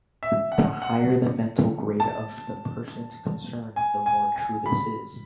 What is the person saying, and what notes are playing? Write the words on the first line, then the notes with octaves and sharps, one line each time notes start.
The higher the mental grade of the persons concerned, the more true this is.
E5
F#5
F#5
A5
G#5
G#5
G#5
B5